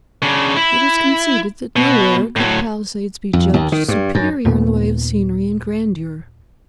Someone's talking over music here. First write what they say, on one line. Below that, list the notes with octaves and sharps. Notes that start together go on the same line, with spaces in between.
It was conceded that nowhere could the Palisades be judged superior in the way of scenery and grandeur.
C#3 D4
E4
B2
A2 F#3
F2
D#2
D#3
G2
F#2
D#2 A#2 A#3 B3